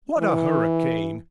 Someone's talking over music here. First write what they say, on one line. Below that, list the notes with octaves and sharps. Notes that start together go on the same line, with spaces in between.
What a hurricane!
E3